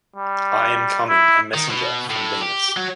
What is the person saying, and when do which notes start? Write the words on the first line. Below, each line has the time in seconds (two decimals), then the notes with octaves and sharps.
I am coming, a messenger from Venus...
0.16 G3
1.09 E4
1.54 D#3
1.70 B2
2.10 A2
2.41 G4
2.77 F#3